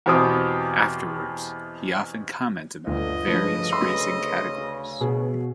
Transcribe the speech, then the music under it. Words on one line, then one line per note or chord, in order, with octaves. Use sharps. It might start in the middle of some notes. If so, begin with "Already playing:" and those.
Afterwards, he often comments about various racing categories.
E2 B2 C4 G4 D#6
G1 D2 D3 D#5
D2 G2 C#3 F3 B4
B5 C6 E6
B2 G#4